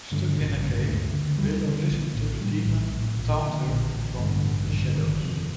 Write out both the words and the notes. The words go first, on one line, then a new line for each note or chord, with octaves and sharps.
Stuck in the cave, Willow listens to the demon taunt her from the shadows.
G2 D3
A1 D3
G2 D3
D2 A3
D3
D2 G3
D3
A#1
A2
A#1 G3
A2
A#1
A#2
A#1 D3
A#2
A1
G2 D3
A1
G2 D3
G1 D#3
F2 C3